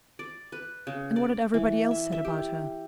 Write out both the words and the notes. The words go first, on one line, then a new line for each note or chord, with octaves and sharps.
And what had everybody else said about her?
D5
B4
C#3
D5
E3
E5
E5
G4